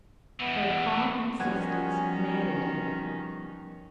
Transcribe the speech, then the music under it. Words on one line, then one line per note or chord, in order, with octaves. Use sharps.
Her calm insistence maddened him.
B2 E3 B3
D#3 F3 G3 B3 C#4 F#4 F#5 G#5